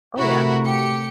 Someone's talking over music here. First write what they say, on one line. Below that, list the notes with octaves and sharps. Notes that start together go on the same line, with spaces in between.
Oh, yeah.
C3 A3 E4 F#4 A#4
G4 C#7